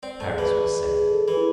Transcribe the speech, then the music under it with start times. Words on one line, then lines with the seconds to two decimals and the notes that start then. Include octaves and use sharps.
Paris was saved.
0.03 C4 D5
0.20 A3
0.30 G#4
0.38 E3
0.57 A5
0.83 G#4
1.10 A4
1.28 E3
1.37 E4